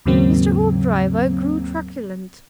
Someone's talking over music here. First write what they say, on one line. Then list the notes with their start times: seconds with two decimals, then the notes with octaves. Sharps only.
Mr. Hoopdriver grew truculent.
0.05 D#2 G#2 C#3 F#3 A#3 C4